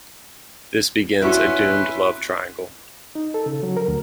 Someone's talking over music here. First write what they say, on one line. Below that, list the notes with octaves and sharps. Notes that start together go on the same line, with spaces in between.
This begins a doomed love triangle.
C#4 D4 E4 F#4 B4 C6 C#6
D#4
A4
C#3
F#3
A#4
D2